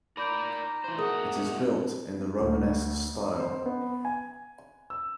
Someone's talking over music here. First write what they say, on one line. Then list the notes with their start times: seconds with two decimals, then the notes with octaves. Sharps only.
It is built in the Romanesque style.
0.17 D#4 A#4 D5 B5 G6 D7
0.84 E3 C5
0.98 B2 A3 G#4 A#4 F#5 D#6
2.40 D2
3.21 D#5
3.40 C5
3.66 B3
4.05 G#5
4.90 E6